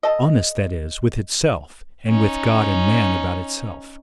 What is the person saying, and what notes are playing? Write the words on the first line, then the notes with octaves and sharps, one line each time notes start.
Honest, that is, with itself, and with God and man about itself.
A4 D#5
C#4 D#4